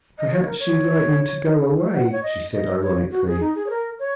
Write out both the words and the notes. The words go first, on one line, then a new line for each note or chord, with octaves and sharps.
"Perhaps you'd like me to go away," she said ironically.
D#5
C#5
A#4
C#5
F#5
C#5
D#5
D#5
C#5
F#4
G#4
D#4
G#4
C#5
A#4
C#5